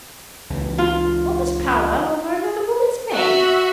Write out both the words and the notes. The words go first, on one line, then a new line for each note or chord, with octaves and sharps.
"All this powwow over another woman's maid!"
C#2 E3
F4
F#4 E5